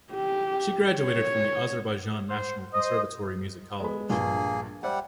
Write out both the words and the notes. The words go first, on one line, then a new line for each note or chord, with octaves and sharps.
She graduated from Azerbaijan National Conservatory Music College.
G4
C#5
C5
C5 D#5 D#6
G#3 B3 B5
A#1 G2 A#3 G#4
G3 G4 C5 E5 F#5 G5